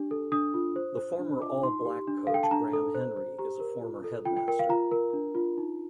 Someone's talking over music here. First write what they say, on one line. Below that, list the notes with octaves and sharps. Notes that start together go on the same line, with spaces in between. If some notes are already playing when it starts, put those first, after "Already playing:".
The former All Black coach Graham Henry is a former headmaster.
Already playing: D4 G4
A4
D4 D#6
F4
C5
C5
D4
F4 D6
D#4 C6
G4
D4
A4 F5
G5
A5
D4 A#5
A4
C5
C5
G4 A#5
A#4
F4
A4
F4 G5
G5
A#4 G5
F5
F4 A#5
A#4
D4
F4
D#4